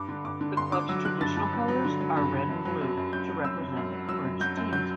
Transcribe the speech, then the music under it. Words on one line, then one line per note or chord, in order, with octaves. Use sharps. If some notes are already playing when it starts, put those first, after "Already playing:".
The club's traditional colours are red and blue, to represent the merged teams.
Already playing: G2 D6
D3
G2 D6
D3
G2 C6
D3 D6
F#3 E6
D3 F#6
G2 A6
G2
G2
F#3
D3
F#3
G2
G2
F#2
F#3
F#2
F#2
F#2 G6
F#3
F#2 E6
F#2
F#2
F#3
F#3 E6
F#2
F#3 G6
F#2
F#3 G6